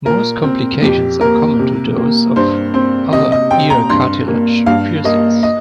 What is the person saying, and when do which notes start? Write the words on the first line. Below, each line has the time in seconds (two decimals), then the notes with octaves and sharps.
Most complications are common to those of other ear cartilage piercings.
0.05 A#2 A#4
0.44 C4
0.82 F2 G4
1.21 A#3 A#4
1.59 C3
1.97 A#3
2.36 G2 C5
2.74 C4 C5
3.13 C3 D#5
3.32 D#5
3.51 C4 G5
3.70 A#5
3.89 G2 C6
4.28 A#3
4.66 G2 F5
5.04 A#3 D#5
5.43 D#5